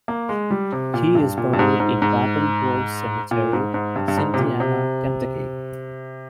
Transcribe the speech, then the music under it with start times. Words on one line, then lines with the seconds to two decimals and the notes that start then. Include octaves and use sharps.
He is buried in Battle Grove Cemetery, Cynthiana, Kentucky.
0.08 A#3
0.29 G#3
0.51 G3
0.72 C3
0.94 A#2
1.15 G2
1.38 A#2
1.53 G2
1.59 G#2
1.80 G#2
2.02 G#2
3.31 A#2
3.53 G#2
3.74 G#2
3.96 G2
4.08 G2
4.17 G#2
4.34 C3
4.39 A#2
4.60 C3